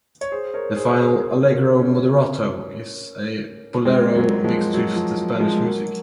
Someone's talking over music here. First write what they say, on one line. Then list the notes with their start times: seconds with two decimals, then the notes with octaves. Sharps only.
The final, "allegro moderato", is a "bolero" mixed with the Spanish music.
0.21 C#5
0.32 G#4 C5
0.54 A#4 C#5
0.76 G#4 C5
0.98 G#4 C5
1.13 A#4
1.20 G#4 C5
1.42 G#4
1.49 F#4 A#4
1.79 A#3 C#4
3.85 G#3 C4
4.15 F#3 A#3
4.44 F3 G#3
4.74 F#3
4.96 F3
5.18 F#3
5.40 F3 G#3
5.62 F#3 A#3